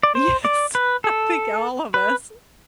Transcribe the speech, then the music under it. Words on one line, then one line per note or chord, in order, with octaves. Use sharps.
Yes, I think all of us,
D5
C5
D5
B4
A4
B4